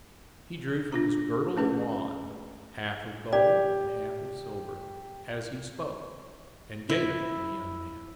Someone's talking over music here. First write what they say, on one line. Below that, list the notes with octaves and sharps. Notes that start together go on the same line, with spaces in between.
He drew from his girdle a wand, half of gold and half of silver, as he spoke, and gave it to the young man.
D4 F4 A#5
A3 C#4 G#4 B4
G4 D5
E4